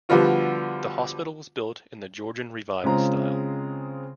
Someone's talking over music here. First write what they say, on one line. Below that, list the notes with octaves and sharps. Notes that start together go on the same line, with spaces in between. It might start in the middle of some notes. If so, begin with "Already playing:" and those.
The hospital was built in the Georgian Revival style.
D3 F3 G3 B3 F4 F#4
C#3 G#3 C4 F4 A#5